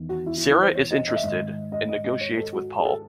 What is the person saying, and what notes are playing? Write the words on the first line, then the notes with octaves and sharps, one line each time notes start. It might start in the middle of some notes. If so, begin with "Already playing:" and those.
Sarah is interested and negotiates with Paul.
Already playing: E2 D#3
F#4
E4
E4
E4
C5
C#5
D#5
D#5
E5
G#2 D#3 D#5
D#5
D#5
D#5
C#5
A4
F#4
G#4
A4